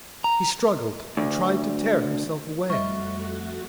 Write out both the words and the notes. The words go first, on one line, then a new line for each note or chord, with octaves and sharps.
He struggled, and tried to tear himself away.
A#5
D2
F2 G3 A3 F#4 D#5 E5 C#6 A6